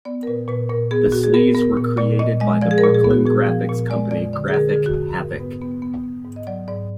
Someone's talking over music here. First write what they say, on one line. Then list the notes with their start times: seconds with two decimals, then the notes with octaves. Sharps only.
The sleeves were created by the Brooklyn graphics company Graphic Havoc.
0.05 B3 D5
0.23 A#4
0.27 A#2 B4
0.48 A#2 B4
0.69 A#2 A#4
0.91 B3 G#4
1.12 A#2 F#4
1.23 G#4
1.34 B3 A#4
1.55 B3 A#4
1.77 A#2
1.97 A#2 D5
2.19 A#2 D#5
2.40 G#3 D#5
2.61 F3 D5
2.71 G#4
2.78 A#4
2.83 A#2
2.94 G#4
3.04 B3
3.11 F#4
3.26 A#2 G#4
3.47 F3
3.69 A#2
3.90 G#3 D5
4.11 F2 D5
4.33 D3 D5
4.48 G#4
4.54 D3 A#4
4.70 G#4
4.76 D3
4.86 F#4
4.97 F2
5.18 G#2 A#4
5.39 B3 B4
5.62 B3 B4
5.82 B3
6.04 B3
6.25 G#2
6.36 D#5
6.47 F#3 D5
6.68 G#2 D5